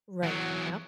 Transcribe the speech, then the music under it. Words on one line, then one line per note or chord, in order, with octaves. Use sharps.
Right, yup,
E2 F#3